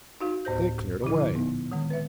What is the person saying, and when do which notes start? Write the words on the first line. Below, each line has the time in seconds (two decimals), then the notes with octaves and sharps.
They cleared away.
0.21 D#4 F#4 F5
0.45 D2 A2 C5 G6
1.02 A#2 D3 F3 E4
1.34 B3 D#4
1.71 D#3 G#3 C4
1.90 B4 E5